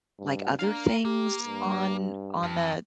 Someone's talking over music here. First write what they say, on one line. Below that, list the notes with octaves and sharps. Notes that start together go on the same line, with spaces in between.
like other things on on that
G2
D4 A#4 F5
A#3 G4
G2
F2